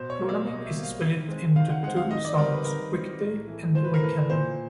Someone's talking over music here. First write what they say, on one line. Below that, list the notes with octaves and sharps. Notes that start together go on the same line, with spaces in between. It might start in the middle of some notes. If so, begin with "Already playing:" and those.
Programming is split into two zones - weekday and weekend.
Already playing: B2 C5
C#5
G3 A#3
D5
B2 D#5
E5
G3 A#3
F5
D#3
G#3 C4
D#3 F5
F#5
G#3 C4 F#5
F5
D#3 D#5
D5
G3 C4 A#4
B4
D#3 A#4
G3 C4
A2
E3 A3
A2 C5
B4
A#4
E3 A3 B4
A#2 C5